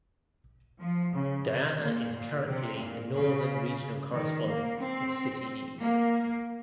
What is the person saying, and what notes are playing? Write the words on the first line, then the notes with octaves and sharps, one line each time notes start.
Diana is currently the Northern Regional correspondent of Citi News.
F3
C#3
C3
A#2
A#2
C3
A#2
C#3
D#3
A#3
C4
A#3